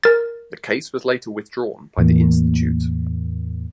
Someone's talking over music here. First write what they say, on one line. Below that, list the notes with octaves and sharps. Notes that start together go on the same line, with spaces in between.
The case was later withdrawn by the institute.
A#4 A6
E2 A2 E3 A#3